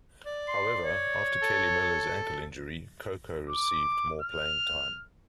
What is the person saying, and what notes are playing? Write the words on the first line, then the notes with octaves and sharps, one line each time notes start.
However, after Kelly Miller's ankle injury, Coco received more playing time.
D5
C6
C#5
A4
D6
F6